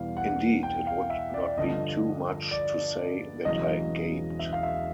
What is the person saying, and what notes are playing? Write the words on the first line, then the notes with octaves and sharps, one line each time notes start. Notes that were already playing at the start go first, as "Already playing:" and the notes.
Indeed, it would not be too much to say that I gaped.
Already playing: E2 B2 G3 F5
F#5
G5
F5
E5
D5
G2 D3 F3 D#5
D5
E1 E2 C#3 F#3 D#5
E5
F5
E5